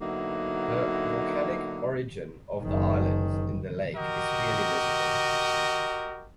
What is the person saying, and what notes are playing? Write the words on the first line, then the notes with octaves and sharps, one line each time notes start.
The volcanic origin of the islands in the lake is clearly visible.
D3 F#3 A#3 B3 D#4 E4
F#1 D#3
F#4 G4 A#4 D#5